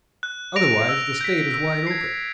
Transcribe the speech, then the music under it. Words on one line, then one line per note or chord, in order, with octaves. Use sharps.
Otherwise, the state is wide open!
F#6
A#6 D7 F7
E6
G6 B6
E6
G#6 C7